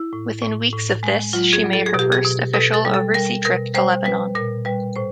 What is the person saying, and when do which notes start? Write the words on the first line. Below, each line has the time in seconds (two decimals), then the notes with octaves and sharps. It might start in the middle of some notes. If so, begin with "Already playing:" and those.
Within weeks of this she made her first official overseas trip to Lebanon.
Already playing: E4
0.13 A2
0.42 A2
0.73 A2
1.03 G#3
1.33 F#3 F4
1.53 G#4
1.64 F#3
1.73 A4
1.86 G#4
1.94 B2
1.99 G4
2.12 G#4
2.24 B2
2.53 B2 A4
2.74 A4
2.85 G3
2.94 A4
3.14 G3 A#4
3.45 B2 A#4
3.75 G3 C5
4.05 G3 B4
4.35 A#2 A#4
4.65 G3 B4
4.96 A2 C5